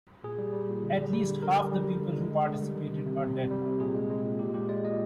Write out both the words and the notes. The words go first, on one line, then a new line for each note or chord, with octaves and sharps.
At least half the people who participated are dead now.
A#2 G#4
G3
G3
A#2
D3
G3
G3
D3
D3 A#4
G3
G3
D3
D3
G#3
G#3
D3
G3
D#3
C3
C3
C3
G3
G3
C3
A#2 G#4
G#3
G#3
A#2
A#2 G4
G#3 G4
G#3 D5
A#2 D#5